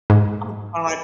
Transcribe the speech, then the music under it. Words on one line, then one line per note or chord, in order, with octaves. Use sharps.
Oh god,
G#2